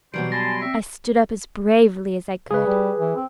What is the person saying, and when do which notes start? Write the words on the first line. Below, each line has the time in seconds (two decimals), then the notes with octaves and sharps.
I stood up as bravely as I could.
0.14 B2 E3 F#3 G3 C5 C7 D7
0.32 G#5 A5 B5 C6 A#6 C7
0.62 C4 E5 B6
2.51 C#3 G#4 B4
2.66 G3
2.98 E3
3.16 C4